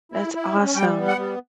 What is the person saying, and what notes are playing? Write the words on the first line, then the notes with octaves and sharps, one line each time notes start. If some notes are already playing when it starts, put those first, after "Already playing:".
That's awesome.
E4
E4
C#4
G3 G5
B3
F#5
G3